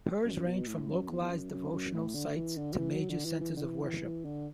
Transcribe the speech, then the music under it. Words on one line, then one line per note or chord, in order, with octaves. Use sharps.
Pirs range from localized devotional sites to major centers of worship.
F#2
B2
A2
F#2
E2
E2
F#2
F#2
F#2
A2
D3
E3
D3
F#3
E3
F#3
D3
E3
E3
D3
E3
E3
E3
D3